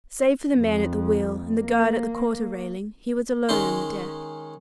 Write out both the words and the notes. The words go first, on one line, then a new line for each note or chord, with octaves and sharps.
Save for the man at the wheel and the guard at the quarter-railing, he was alone on the deck.
F2
A#3
D#3 G#3 C#4 D#4 C6